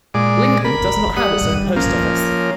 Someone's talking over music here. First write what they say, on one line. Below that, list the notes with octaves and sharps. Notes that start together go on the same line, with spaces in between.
Lincoln does not have its own post office.
A#2 G#3 D5
A#4 B5
G3 F#5 D#6
F3 A#3 C#4